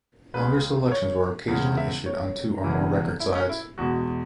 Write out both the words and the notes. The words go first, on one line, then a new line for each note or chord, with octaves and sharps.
Longer selections were occasionally issued on two or more record sides.
C#2 C#3 G#3 B4
C#5
E2 C#3 G#3
E5
C#5
E1 E2 C#3 E3
E4
C#4
E4
E2 B2 G#3 F#4